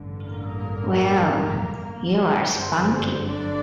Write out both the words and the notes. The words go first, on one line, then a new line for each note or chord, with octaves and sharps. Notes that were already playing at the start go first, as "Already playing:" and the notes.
Well, you are spunky!
Already playing: A1 G2 D3
A#3 A#4
G1 F#2 D3 C4 C5
D4 D5